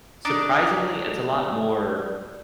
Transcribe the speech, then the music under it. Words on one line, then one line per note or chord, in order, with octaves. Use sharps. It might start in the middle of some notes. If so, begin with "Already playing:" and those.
surprisingly, it's a lot more
D4 D#4 D5